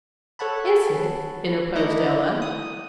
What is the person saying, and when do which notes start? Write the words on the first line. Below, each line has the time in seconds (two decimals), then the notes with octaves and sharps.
"Is it?" interposed Ella.
0.39 A4 C#5 F#5 A5 B5
1.75 A3 D#4 E4 D5 D#5
2.42 D#6